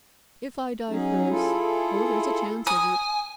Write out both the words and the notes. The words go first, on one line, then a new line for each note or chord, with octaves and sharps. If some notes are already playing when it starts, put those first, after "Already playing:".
If I die first--oh, there is a chance of it!
F#3 C#4 D#4 G#4
E4 F4 G#4 A4
G#5 D#6